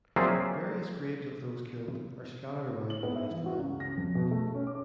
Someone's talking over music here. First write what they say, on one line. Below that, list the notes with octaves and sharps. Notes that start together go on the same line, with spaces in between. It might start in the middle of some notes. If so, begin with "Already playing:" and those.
Various graves of those killed are scattered around the West Rand.
F#3 A#3 C4 G#4 D5 E5
F#7
B3
E5
E3
F#4
C#2
A#6
F2
B2
A3
C#4
D6